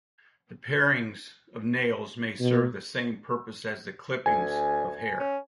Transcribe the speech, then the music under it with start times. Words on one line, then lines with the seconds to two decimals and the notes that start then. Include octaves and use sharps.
The parings of nails may serve the same purpose as the clippings of hair.
2.40 B2
4.26 D2 G#5
5.20 C#4